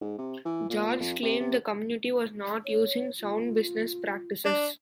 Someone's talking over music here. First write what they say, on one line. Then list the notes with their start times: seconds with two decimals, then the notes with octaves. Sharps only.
George claimed the community was not using sound business practices.
0.01 G#2
0.18 C3
0.45 E3
0.70 A#2
1.00 F2
1.22 C3
1.40 C3
2.65 C#5
3.21 F4
4.45 D4